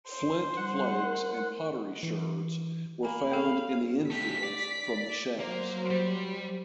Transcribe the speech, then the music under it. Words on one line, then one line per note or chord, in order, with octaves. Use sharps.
Flint flakes and pottery sherds were found in the infills from the shafts.
C5
G3 F#5
A#4
E3
A#3 G#5 A#5 B5
C4 A4 F5
A3 G4 B6
D5
F#3 A#3 C5
G3